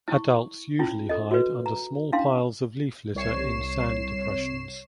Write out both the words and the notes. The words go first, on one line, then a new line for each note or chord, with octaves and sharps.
Adults usually hide under small piles of leaf litter in sand depressions.
E4 C#6
C#4 E4 F4
A4 D#5
F#4 B4
A#5
C#4 D4 E4 F5 C6
C2 C#5 C7 E7